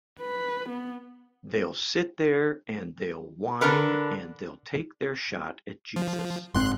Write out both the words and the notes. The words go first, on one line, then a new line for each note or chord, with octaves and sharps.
They'll sit there and they'll whine and they'll take their shot at Jesus.
B4
B3
D3 D4 A#4 B4
F3
F#1 G#2 C4 C6 F#6